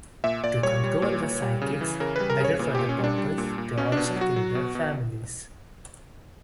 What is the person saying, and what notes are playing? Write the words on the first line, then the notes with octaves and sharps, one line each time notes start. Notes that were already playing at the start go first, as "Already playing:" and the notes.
To control the psychics better for that purpose, they also kill their families.
A#2 E5
A#2 D5
G3 C#5
G3
A#2
A#2
G3
C#3
E3
C#3 A#4
G3 B4
A#4
C#3 C#5
A#2
A#2 G4
C#4
G3
D4
G3
A#2
A#2
B2 C#4
B2 D4
D4
F#3 F#4
F#3
B2
B2